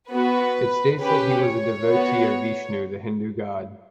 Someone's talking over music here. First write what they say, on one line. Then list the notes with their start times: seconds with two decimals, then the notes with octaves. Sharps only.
It states that he was a devotee of Vishnu, the Hindu god.
0.11 B3 F#4 B4
1.01 C#4 G4 B4
1.47 C#5
1.92 B3 F#4